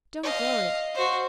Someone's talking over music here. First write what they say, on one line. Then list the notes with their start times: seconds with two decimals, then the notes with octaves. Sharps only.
Don't worry!
0.24 D#5 F5
0.95 F#4 C5